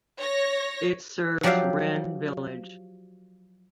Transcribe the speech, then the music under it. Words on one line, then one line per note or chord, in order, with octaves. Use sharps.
It serves Ren village.
C#5 A#6
F3 F#3 G4 D5 E5 F5